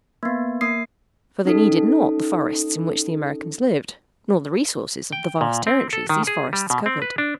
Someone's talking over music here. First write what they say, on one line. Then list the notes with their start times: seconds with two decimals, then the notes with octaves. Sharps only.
For they needed not the forests in which the Americans lived, nor the resources of the vast territories these forests covered.
0.23 A#3 B3
0.61 A#3 D#6 C7
1.45 C#4 D#4 A4
5.12 G5
5.41 A#2
5.67 C4
5.93 A4
6.09 D#3
6.27 G#4
6.53 G3
6.70 B2
6.86 C4
7.02 B4
7.18 D4